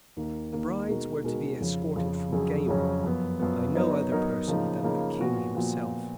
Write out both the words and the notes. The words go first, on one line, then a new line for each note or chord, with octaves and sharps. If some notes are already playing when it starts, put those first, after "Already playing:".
The brides were to be escorted from Gamewell by no other person than the King himself.
D#2 D#3 A#3
D#2 D#3 A#3
B2 G#3 D#4 F#4 A#4
B2 G#3 D#4 F#4 A#4
F2 C#3 F3
F2 C#3 F3
F2 C#3 F#3 C#4 G#4
F2 C#3 F#3 C#4 G#4
F#2 F3 B3
F#2 F3 B3
F#3 B3 D#4 A#4 C#5
F#3 B3 D#4 A#4 C#5
C#3 F3 A#3 D#4
C#3 F3 A#3 D#4
A#2 F3 B3 F#4
A#2 F3 B3 F#4